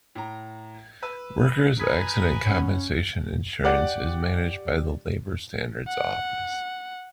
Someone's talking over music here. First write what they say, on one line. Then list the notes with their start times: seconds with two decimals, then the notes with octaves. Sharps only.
Workers' accident compensation insurance is managed by the Labor Standards Office.
0.15 A2 A#5
1.03 B4 E6
1.80 B4 G#5 A#5 D#6 G#6 B6
2.45 C#4 C#5 F#5 B5
3.64 G4 D5 F#5
5.88 F#5